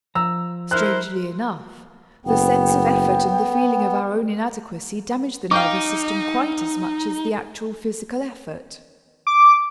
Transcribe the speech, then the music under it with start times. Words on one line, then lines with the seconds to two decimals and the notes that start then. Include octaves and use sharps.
Strangely enough, the sense of effort and the feeling of our own inadequacy damage the nervous system quite as much as the actual physical effort.
0.15 F3 A#5 E6
0.71 E4 A#4 C5 F6 F#6
2.26 F#1 B3 G5
5.51 D#4 F5 G5 D6
9.27 D6